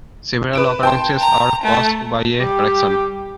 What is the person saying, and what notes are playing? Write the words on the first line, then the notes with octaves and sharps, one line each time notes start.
Several occurrences are caused by a correction.
B4 D7 E7
G5 A5 C6
A#5
A3
G3 G4